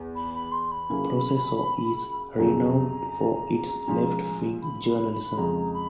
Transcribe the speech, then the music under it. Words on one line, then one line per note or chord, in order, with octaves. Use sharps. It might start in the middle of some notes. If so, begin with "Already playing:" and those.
"Proceso" is renowned for its left-wing journalism.
Already playing: E2
B5
B5
C6
B5
C#3 F#3 A#3 C#4 E4
F2 C#3 F#3 A#5
F3 G#3 C#4
B5
B5
B5
F2 C#3 F3 G#3 A#5
B5